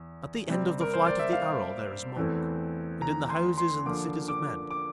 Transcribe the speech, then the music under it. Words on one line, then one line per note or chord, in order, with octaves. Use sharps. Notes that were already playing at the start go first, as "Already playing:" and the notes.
At the end of the flight of the arrow there is Mung, and in the houses and the cities of Men.
Already playing: E2
C3 G3 C4
A#4
C5
D5
E5
F5
E2 E3 A3 C4
A#5
C6
C6
D3 F3 A#3 D6
D6
D6